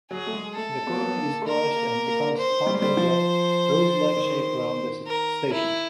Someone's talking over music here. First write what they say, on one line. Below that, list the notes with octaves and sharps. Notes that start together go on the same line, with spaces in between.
The Corona is crushed and becomes part of the rose-like shape around the station.
F#3 G#4
A3
G#3
A3 A4
B3
A#3
B3
A#3
A3
A#3 A#4
A#3
A#3
C5
G3
G#3
G3 C5
F3
D#3
A#4
E4